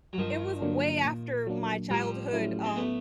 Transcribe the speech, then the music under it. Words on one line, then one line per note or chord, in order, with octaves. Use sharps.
it was way after my childhood, um,
F#3
G2 D#3 F3
D3 F#3 A#3 D4
A#2
F#3 A#3 D4
A2 F3 G3
F#3 A3 C#4 E4
C4
A3 B3